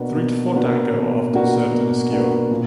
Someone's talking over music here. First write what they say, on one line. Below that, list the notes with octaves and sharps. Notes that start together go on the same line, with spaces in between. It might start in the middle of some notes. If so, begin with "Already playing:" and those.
Three to four "dango" are often served on a skewer.
Already playing: B2 A#3 D4 F#4 B4
B2
A#3 D4 F#4 B4
B2
A#3 D4 F#4 B4
B2
A#3 D4 F#4 B4
A#2